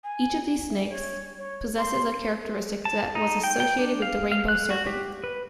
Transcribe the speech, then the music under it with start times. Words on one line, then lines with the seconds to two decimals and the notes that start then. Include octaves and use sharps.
Each of these snakes possesses a characteristic that was associated with the Rainbow Serpent.
0.04 G#5
0.70 E5
0.89 C#5
1.38 C#5
1.78 C6
2.85 A5
3.15 D#4
3.44 G5
3.60 G5
3.79 D4
4.02 F5
4.32 F5
4.48 F#6
4.70 F#4
4.87 G4
5.24 B4